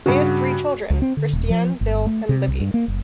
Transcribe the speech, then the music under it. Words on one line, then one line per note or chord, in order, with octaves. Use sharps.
They had three children: Kristianne, Bill, and Libby.
G2 C#3 F#4
C#2
C4
D3
D#1
F3
G1
A3
C3
C2
G2
A#3
F#1